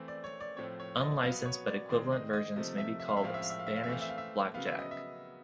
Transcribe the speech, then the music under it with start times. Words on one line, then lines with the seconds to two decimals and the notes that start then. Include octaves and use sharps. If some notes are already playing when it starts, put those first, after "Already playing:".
Unlicensed, but equivalent, versions may be called Spanish blackjack.
Already playing: E3 A3 C4
0.08 D5
0.24 C#5
0.41 D5
0.57 A2 F3 A3 C4 C#5
0.80 C#5
0.97 D#5
1.01 D5
1.23 B2 F#3 B3 F5
1.45 C#5
1.67 D5
1.89 D#3 G#3 C4 D5
2.12 D#5
2.33 D#5
2.56 C3 F3 A3 D#5
2.78 E5
3.00 E5
3.08 F5
3.17 E5
3.22 A2 F3 G#3 C4 F5
3.34 E5
3.42 F5
3.50 E5
3.59 F5
3.67 E5
3.76 F5
3.84 E5
3.88 E3 A3 C4 F5
4.02 E5
4.10 F5
4.18 E5
4.54 C#3 F#3 B3 F5
4.67 E5
4.79 D#5
4.91 E5